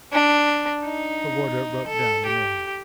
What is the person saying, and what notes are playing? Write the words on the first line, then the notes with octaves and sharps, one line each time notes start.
The warder wrote down the name.
D4
D#4
A4
G4